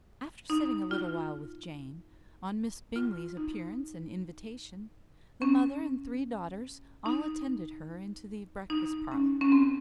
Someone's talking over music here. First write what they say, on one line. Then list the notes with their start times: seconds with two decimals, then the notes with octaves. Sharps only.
After sitting a little while with Jane, on Miss Bingley's appearance and invitation, the mother and three daughters all attended her into the breakfast parlour.
0.50 D#4
0.91 F4
2.96 F4
3.37 D#4
5.42 C#4
7.06 D#4
8.70 D#4
9.12 C#4
9.41 C#4
9.52 C4